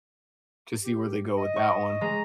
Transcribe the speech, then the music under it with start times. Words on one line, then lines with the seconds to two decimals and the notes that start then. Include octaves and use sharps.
to see where they go with that one.
0.84 G4
1.37 D#5
1.56 C#6
2.01 G#3 A#5